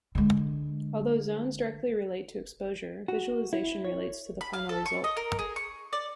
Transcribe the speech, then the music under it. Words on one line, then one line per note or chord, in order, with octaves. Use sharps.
Although zones directly relate to exposure, visualization relates to the final result.
D3 G#3
F#4
E4
C#5
B5
F5
A4
C#6
D#5
A#4
G#4
C#6
D5